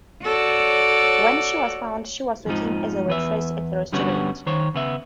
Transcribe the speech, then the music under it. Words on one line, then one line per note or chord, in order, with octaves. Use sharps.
When she was found, she was working as a waitress at a restaurant.
F#4 A4 C#5 D5
F2 G#2 F3 D#4
E2 B4 E5
G2 D3 G3 B3 C#4 F#4
D#3 C5 C#5
C#3 B3 E5